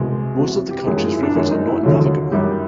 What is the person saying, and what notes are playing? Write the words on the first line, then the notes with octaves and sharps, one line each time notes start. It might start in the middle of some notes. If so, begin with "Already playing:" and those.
Most of the country's rivers are not navigable.
Already playing: C2 B2 G#3
E2 C3 E3 F#4
G4
F#2 D#3 G#3 G#4
F4
E4
D4
F#2 D#3 G#3 C#4
D#4
E4
D#2 D3 F#3 F4
F#2 D#3 G3